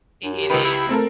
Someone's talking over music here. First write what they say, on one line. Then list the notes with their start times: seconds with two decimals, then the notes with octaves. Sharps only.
I it is?
0.23 F#2 D4
0.36 G4
0.50 C#2 D#3 B4
0.64 E4
0.89 A3 C4 A4 A#4